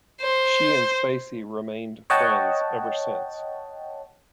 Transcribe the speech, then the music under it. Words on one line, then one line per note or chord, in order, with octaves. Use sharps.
She and Spacey remained friends ever since.
C5
C#5 D#5 F#5 G5 A5